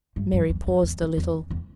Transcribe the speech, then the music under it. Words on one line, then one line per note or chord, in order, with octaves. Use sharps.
Mary paused a little.
G2
F#2
E2
F2
E2
E2
E2
E2